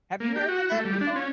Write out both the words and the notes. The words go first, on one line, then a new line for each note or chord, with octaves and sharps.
Have you heard of that before?
A#3
G4
F#4
A3
G3
D4
C#4